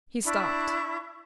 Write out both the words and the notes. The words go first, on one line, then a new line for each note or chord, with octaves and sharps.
He stopped.
D4 E4 B5 C#6